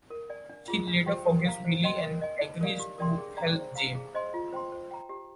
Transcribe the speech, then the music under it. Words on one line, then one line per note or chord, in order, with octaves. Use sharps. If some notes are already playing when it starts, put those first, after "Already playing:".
She later forgives Billy and agrees to help Jay.
A#4
D5 G#5
D4
F4 G#4
D4
G4 C5 G5
A#4
F5 A#5
C5
D#5 G5 C6
A#4
D#5 G#5
D#4
A#4 D5 F5
G4
A#4 D5 G5 C6
G#4
D5 G5 A#5
C5
F5 A#5
G#4
C5 D#5 G#5 C6
F4
C5 G5 C6
C5
G5 A#5
G4